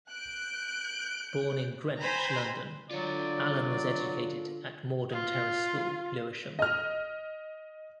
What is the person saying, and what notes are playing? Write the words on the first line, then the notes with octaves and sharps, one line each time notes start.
Born in Greenwich, London, Alan was educated at Morden Terrace School, Lewisham.
F#6 G6 D7
C5 G5 G#5 A#5 B5
D3 F#3 F4 C#5 D5
F4
D#5 F6